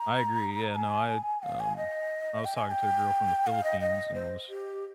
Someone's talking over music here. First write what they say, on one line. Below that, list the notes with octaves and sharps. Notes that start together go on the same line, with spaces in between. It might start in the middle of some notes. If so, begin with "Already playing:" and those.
I agree, yeah, no, I, um I was talking to a girl from the Philippines and I was
Already playing: A#5
G#5
F5
G#5
D#5
G5
G#5
G#5
G5
F5
D#5
D#5
C5
G4